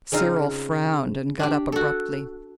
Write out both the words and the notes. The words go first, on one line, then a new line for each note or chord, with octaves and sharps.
Cyril frowned, and got up abruptly.
C#3 C4 D#4 F4
D4 G4
F#4 A4